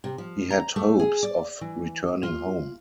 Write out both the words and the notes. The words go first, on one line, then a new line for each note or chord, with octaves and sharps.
He had hopes of returning home.
C3
F3
A#5
A3
G#4
D5
E3
F4